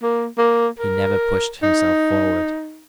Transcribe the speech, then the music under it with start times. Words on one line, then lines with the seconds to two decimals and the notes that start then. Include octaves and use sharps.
He never pushed himself forward.
0.03 A#3
0.38 A#3
0.79 A#4
1.63 D#4